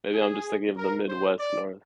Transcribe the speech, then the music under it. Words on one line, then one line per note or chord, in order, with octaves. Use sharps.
maybe I'm just thinking of the Midwest North,
G#4
A#4
C5
D5